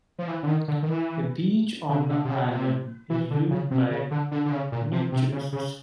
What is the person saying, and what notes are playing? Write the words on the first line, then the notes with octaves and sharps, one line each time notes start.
A beach on the island is used by naturists.
F3
E3
D3
D#3
D3
D#3
E3
D3
D3
C3
C#3
C3
E3
D3
C#3
C3
C#3
D3
D3
D3
C#3
A#2
C3
C3
C#3
C#3